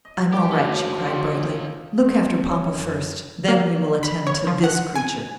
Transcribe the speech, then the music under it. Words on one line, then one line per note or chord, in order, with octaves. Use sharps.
"I am all right," she cried, brightly; "look after papa, first; then we will attend to this creature."
D#5
F#2 A2 E3 G4 D6
F#2 F3 C4 C#4 F4
F#4 G#4 G5
C4
C#4
F#2
A#3
B5
C#5
F3
F#5
G#5